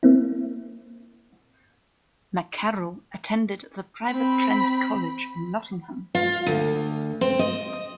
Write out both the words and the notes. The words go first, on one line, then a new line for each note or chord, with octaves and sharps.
MacKerrell attended the private Trent College in Nottingham.
A#3 C4 E4
C4 B5
F4
D2
C4
D#5